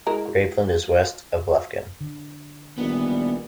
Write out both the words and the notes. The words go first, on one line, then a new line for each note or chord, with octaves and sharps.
Grapeland is west of Lufkin.
G#3 E4 A#4
D3
A#1 D#3 E3 G3 B3